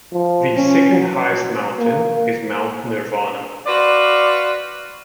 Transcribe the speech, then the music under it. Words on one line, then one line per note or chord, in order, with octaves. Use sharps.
The second highest mountain is Mount Nirvana.
F3
C#4
F#3
A#3
F#4 B4 C5 D5 F5